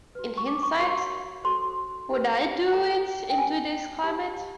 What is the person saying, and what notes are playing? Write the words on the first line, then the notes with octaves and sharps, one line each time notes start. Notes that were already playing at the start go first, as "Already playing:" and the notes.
In hindsight, would I do it in today's climate?
F#4 B4
C#6
D6
C#6
F#4 A#4 C#5 C#6
F#4 A4 C5 C6
E4 G4 B4
E4 A4 C#5 A#5
G5
F4 A#4 C#5 G#5
D#4 G4 C5 A5